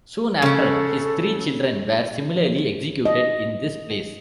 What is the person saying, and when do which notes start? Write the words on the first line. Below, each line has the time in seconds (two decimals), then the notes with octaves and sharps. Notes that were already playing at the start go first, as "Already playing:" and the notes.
Soon after, his three children were similarly executed in this place.
0.42 C#3 C#4 A4
3.06 D#5